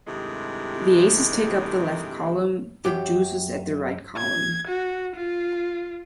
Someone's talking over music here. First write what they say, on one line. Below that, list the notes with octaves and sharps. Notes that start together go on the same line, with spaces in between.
The Aces take up the left column, the deuces at the right column.
G2 C3 D#3 G#3 A3 E4
F#2 G4
G#6
F#4
F4